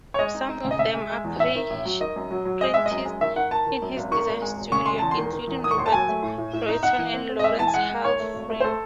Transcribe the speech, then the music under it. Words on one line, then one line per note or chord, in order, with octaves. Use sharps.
Some of them apprenticed in his design studio, including Robert Royston and Lawrence Halprin.
C#5
G#3 D#5
D#4
D#4
C#3
D#5
C#3 E5
G#3
G#3
E2
A1 E5
D#3
A1
F#3
D#3 D#5
F#2
F#3
F#3
G#3 D#5
G#3 E5
D#5
F#2
G#3
D#3 E5
D#3 F#5
D#3 A5
D#3
F#2
G#1
D#3 C#6
G#1
G#3
E1
C#3 C#6
G#3 C6
E2 A5
C6
D#3
D#3
E2
D#3 D#6
C#6
D#2 C6
A5
F#3 G#5
A3
A2
A2
A2
D#4
D#4 F#5
E3
C4
C4
D#5
G#3 E5
E3 A5
G#5
G#3 F#5
G#3
D#3 C#5
A3
G#1
A3
C5
A4